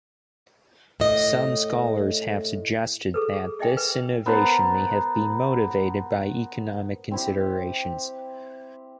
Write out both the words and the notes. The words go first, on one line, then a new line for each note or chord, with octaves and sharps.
Some scholars have suggested that this innovation may have been motivated by economic considerations.
A2 D#5
G#4 A4 B4
G#4
G#4 D#5 E5 G5 G#5
B4
B3 A#4 C5 A5
C4 E4 G4